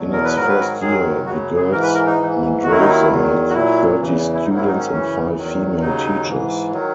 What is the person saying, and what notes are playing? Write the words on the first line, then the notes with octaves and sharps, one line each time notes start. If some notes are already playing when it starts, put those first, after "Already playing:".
In its first year, the girl's madrasa had thirty students and five female teachers.
Already playing: E2 B2 F#3
A#4
B4
G#2 D#3 F#3 A#4
B4
A#4
F#2 D#3 F#3 G#4
F#2 C#3 F#3 F#4
G#4
G#2 E3 A#4
B4
A#4
D#4
G#2 E3
D#2 D#3 F#3 F#4
E4
D#4
E4
E2 D#3 F#3
F#4
A#2 F#3 E4
E2 C#3 E3
E4
G#2 D#3 F#3 D#4
E4
D#4
C#4
F#2 C#3 E3 C#4
E2 D#3 F#3
D#2 C#3 F#3 D#4
G#2 E3
D#3 F#3